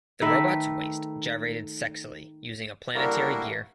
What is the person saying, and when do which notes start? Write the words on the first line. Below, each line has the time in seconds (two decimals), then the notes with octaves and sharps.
The robot's waist gyrated sexily using a planetary gear.
0.22 D#3 A3 B4 E5
2.95 D3 G3 A#3 E4 F#4 A#4